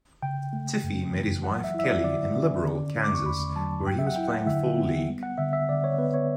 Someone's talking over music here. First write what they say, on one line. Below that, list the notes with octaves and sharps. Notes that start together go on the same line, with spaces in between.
Tiffee met his wife, Kelli, in Liberal, Kansas where he was playing fall league.
C#3 G5
A3
F#2
E3
F#3 F#5
E5
E4 E5
D5
D3 D5
C#4
D3
A3
D6
C#6
E2 B5
F#3 A5
F#3 G5
E5
F#5
E4 G5
F#5
D3 E5
B3
G3
F#5
D3 E5
E5
D3 D5
C#5
B3 B4
C#5